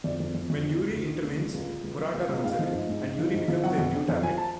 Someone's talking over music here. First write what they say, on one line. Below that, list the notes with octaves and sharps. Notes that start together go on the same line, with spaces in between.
When Yuri intervenes, Murata runs away, and Yuri becomes their new target.
F2 D5
F2
F2
F2
C#3
D2
D2
D2
C#3
F3
C#2
C#2
C#2
F#3
C#2
C#2
G#2 F5
F3
G#2
G#2
G#2
F3
G#2
F3
F#3 F#5
F2
D3
F2
F3 G#5
A5